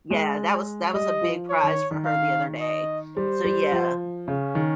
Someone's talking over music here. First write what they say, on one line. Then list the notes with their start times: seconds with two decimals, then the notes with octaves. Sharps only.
yeah, that was that was a big prize for her the other day. So yeah.
0.11 G#3
0.94 G3 D#5
1.21 F3
1.50 C#5
1.63 D#3
1.91 D#3
2.06 F5
2.61 D#5
3.17 G3 C5
3.44 G3
3.72 F3
4.28 C#3 C#4
4.55 D#3